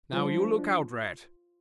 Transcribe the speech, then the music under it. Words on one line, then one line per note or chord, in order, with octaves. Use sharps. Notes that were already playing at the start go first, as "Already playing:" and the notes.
Now, you look out, Rat!
F3 G3
D4
D4